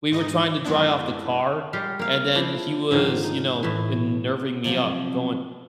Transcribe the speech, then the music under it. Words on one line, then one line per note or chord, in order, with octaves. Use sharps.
we were trying to dry off the car, and then he was, you know, nerving me up going,
G#2 D#4 D#5
F#2 G#3 B3 D4 E4
G3 G#3 G4 F5
A#3 F5
F3 D4 E4
G#2 D3 D#3 F3
D#4
A2 E3
C3 F3 F#3 C4